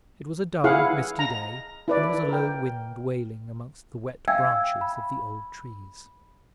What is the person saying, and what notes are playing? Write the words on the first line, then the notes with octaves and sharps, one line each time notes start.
It was a dull misty day, and there was a low wind wailing amongst the wet branches of the old trees.
E4 G#4 F5 F#5
A#5
E4 B4 D5
A#4 G5
E5 F5 G5 G#5 E6 G#6
B5